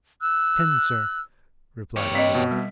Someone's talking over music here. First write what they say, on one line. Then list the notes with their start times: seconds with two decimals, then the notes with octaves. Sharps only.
'Ten, sir,' replied Oliver.
0.21 E6 F#6
1.96 G4 C#5
2.15 C4 D#5 B6
2.35 B2
2.51 G3